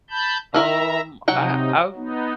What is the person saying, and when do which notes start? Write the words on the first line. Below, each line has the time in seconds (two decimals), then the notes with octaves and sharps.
Um, I I
0.10 A5 B5 G6
0.54 D#3 E4 A#4 E5 A#5
1.28 C3 F#3 D#4 F#5 G5
1.95 B3 D#4